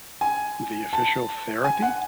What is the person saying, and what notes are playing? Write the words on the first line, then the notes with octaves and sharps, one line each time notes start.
The official Therapy?
G#5
A5
G#5
F#5